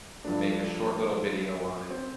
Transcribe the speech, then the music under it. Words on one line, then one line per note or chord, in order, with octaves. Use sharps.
make a short little video on it.
G2 F3 A3 D4
C4